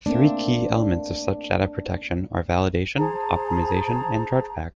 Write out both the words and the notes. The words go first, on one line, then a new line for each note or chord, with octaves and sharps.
Three key elements of such data protection are Validation, Optimization and Chargeback.
A3 A#3 C4 D4
G#4 C5 A5 A#5